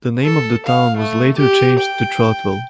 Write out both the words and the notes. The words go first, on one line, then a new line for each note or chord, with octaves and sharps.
The name of the town was later changed to Troutville.
A4
F5
A3
G4
G5